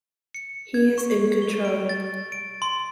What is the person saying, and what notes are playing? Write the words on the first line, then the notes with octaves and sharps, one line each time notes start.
He is in control.
C#7
G#6
C#6
G7
D7
A6
D7
C6